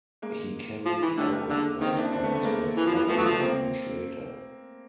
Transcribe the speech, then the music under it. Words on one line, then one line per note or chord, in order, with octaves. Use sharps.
He carried out those plans for Florida much later.
G#3 A#3
F3
E3
D3 G3 A3
D3 G#3 A#3
D#3 A#3 C4
D4 E4
C4 D4
A3 B3
A3 B3
G#3 A#3
E3
F3
E3
F3 A3 B3
F#3
F3
A#3 C4